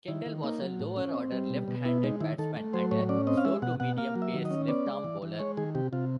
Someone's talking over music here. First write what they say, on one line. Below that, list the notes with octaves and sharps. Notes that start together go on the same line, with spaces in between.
Kendall was a lower-order left-handed batsman and a slow-to-medium pace left-arm bowler.
D#3 E4
D#3
A#3 D#4
F#3
A2
C#4
C4
G3
B2
B2
B3 E4
G#3 D#4
D#3 E4
D#3 A4
A3
F#3 C5
A2 C#5
C#4 D5
C4 D#5
F5
G#3 E5
B2 F#5
B2 F#5
A#3 F5
F#3
E5
D#3
D#5
C#4
B3 D5
G#3
E3
E3
G#3 C#5
D#3 G#4
C3 G4
C3 F4